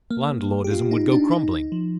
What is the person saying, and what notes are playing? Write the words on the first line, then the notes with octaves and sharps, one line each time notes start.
Landlordism would go crumbling.
A#3
G4
F4
D#4
D4
D#4
D#4
F3